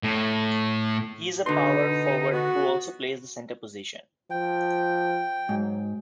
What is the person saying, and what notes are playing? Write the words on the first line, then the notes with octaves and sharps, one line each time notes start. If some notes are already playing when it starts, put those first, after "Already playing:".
He is a power forward, who also plays the center position.
A2
B2 D3 D#4 C6
B3 F#4
F3 G5
G#2 F#3